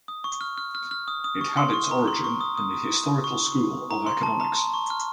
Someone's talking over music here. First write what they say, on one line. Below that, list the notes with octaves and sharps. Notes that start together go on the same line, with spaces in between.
It had its origin in the historical school of economics.
D#6
C#6
F6
F6
F6
F6
D#6
D#6
C#6
C6
C#6
A#5
C6
C#6
D#6
D#6
C#6
A#5
C6
A5
A#5
C6
C#6
F6